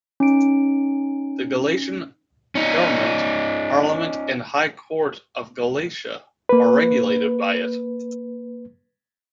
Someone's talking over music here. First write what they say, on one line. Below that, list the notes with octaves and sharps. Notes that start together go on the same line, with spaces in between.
The Galician Government, Parliament and High Court of Galicia are regulated by it.
C#4 D#4 D7
C#4 D#4
A#3 B4